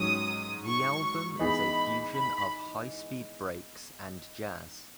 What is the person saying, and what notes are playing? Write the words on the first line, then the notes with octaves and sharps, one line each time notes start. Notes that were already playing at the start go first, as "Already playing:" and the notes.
The album is a fusion of high speed breaks and jazz.
Already playing: G#2 F#3 C#4 D#6
C#6
E3 B3 D#4 G#4 B5
B5